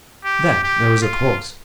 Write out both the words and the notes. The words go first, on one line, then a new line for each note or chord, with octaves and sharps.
Then there was a pause.
G4
G4
F4